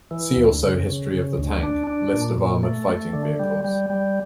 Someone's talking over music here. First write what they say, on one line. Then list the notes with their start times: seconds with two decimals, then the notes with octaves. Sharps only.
See also history of the tank, list of armoured fighting vehicles.
0.11 E3
0.36 D2
0.62 C#3
0.88 C#3
1.13 C#3
1.38 D2
1.63 D4
1.87 D4
2.13 A#2
2.38 A#2
2.63 A3
2.89 A3
3.13 D3
3.40 G3
3.65 G3
3.90 G3